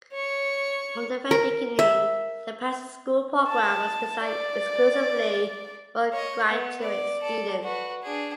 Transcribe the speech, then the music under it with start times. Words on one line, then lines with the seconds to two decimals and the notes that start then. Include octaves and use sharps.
From the very beginning, the Patterson School program was designed exclusively for graduate students.
0.13 C#5 C#6
1.31 A#4
1.79 E5
3.48 A5
4.24 D5
6.12 C#5 D#5
6.47 B3
6.83 D5
7.21 A4 D5
7.63 F#4 B4
8.03 D4 G#4